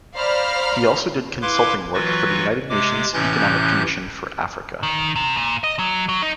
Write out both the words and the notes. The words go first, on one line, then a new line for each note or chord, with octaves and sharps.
He also did consulting work for the United Nations Economic Commission for Africa.
C5 D5 F5 A#5 B5 F6
E4 B4 F5 C6 D6
E3 F#3 F4 F#4 B4 C#6
C3 G#3 D6
A2 C3 E3 C#4 F#6 G6
D#3
C3
A#2
D#5
F#3
F#3
D#4